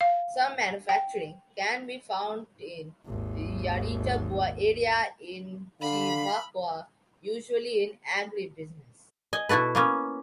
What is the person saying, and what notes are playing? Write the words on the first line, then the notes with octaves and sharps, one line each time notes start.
Some manufacturing can be found in Yaritagua area and Chivacoa, usually in agribusiness.
F5
G5
G#1 D#2
D3 F5 B5
D#5 G#5
B2 E4 F#4 A4 B4
A#3 B3 C#4